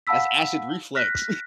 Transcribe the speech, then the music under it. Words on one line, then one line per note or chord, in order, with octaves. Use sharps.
That's acid reflex.
F5 F#5 A5 B5 E6 B6
F6 F#6 A#6 B6